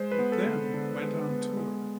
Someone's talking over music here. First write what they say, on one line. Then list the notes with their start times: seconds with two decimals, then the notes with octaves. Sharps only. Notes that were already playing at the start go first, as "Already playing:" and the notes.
It then went on tour.
Already playing: G#3 C5
0.12 B4
0.19 B3
0.32 A4
0.46 D3
0.74 D3
1.01 G#3
1.29 B3
1.57 G#3